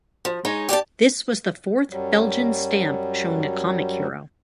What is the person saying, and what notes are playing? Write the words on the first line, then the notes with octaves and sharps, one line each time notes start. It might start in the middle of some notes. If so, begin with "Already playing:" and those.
This was the fourth Belgian stamp showing a comic hero.
F3
G#3 D#4 C#5
G4 D5 G5 A5
F#2 F#3 G3